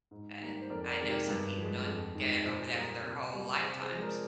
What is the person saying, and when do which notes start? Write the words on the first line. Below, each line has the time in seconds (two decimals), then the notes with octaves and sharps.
and I know some people don't get over that for their whole lifetimes.
0.11 G#2
0.40 D#3 G3 A#3
0.61 C5
0.70 F2 A#4 D5
0.89 A#4 D5
0.99 C3 D#3 G#3
1.08 G4 A#4
1.28 G2
1.58 F3 G#3
1.87 F2
2.15 D#3 G#3
2.45 A#2 G#4 C5
2.74 G3 A#3
3.03 C3
3.33 G3 A#3
3.61 C3 G#4 C5
3.82 G#4 C5
3.91 F3 G#3
4.00 A#4 D5